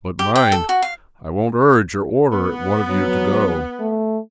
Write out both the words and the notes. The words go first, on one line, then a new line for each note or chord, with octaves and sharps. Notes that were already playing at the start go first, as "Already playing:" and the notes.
But mind, I won't urge or order one of you to go.
G4
G5
A4
F#4
F5
B3
F#3
A3